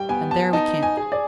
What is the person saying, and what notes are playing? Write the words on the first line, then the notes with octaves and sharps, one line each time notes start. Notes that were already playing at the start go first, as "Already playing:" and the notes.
And there we camped.
Already playing: G3 G5
B3 G#5
A5
D#4 A5
G#5
G#4
D5